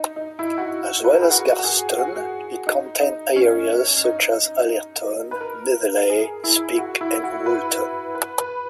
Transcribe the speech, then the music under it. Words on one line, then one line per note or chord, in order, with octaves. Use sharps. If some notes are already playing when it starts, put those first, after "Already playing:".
As well as Garston, it contained areas such as Allerton, Netherley, Speke and Woolton.
Already playing: D#4
D#4
E4
F#4
E4
B4
A#4
G#4
F#4
F#4
G#4
F#4
D#4
D#4
C#4
D#4
B4
A#4
G#4
E4
F#4
E4
F#4
B4
B4
B4